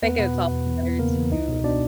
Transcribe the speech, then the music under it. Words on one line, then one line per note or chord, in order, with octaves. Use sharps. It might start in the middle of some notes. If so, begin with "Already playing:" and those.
I think it's all better to
E2 B3 B4
B2 B3 B4
B2
E2
E2
E2
C#3 A#3 A#4
E3
C#2 D#4 D#5
B2
B2 D4 D5